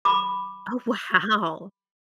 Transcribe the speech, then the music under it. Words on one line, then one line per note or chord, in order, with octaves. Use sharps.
Oh, wow.
B5 D6